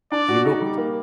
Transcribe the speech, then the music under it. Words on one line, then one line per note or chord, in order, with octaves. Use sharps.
He looked.
D4 D5
F#4
D#4
G3
A#3